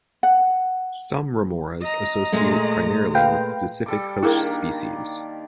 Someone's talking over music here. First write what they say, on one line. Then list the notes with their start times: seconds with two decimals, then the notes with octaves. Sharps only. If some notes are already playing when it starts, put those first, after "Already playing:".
Some remoras associate primarily with specific host species.
0.23 F#5
1.80 D#5 A#5
2.32 A#2 G#3 A3
3.15 B4 F5 G5
3.86 G3 A4 D6
4.23 D#3 A#3 D4 E4 G#4 A#4